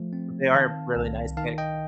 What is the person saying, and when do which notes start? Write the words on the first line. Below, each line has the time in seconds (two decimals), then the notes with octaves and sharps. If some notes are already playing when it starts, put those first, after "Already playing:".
but they are really nice kicks.
Already playing: F3 A3
0.13 C4
0.54 D#3 F5 A5
0.96 C2
1.37 D#3 F5 A5
1.58 D#5 G5